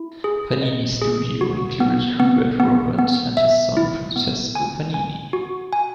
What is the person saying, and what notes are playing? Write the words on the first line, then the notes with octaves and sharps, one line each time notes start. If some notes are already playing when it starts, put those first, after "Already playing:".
Panini's studio included Hubert Robert and his son Francesco Panini.
Already playing: E4
G#4
D#5
G#4
F#4
B3
B3
B3
B3
E5
E4
B3
G#5
G#5
F#4
G#5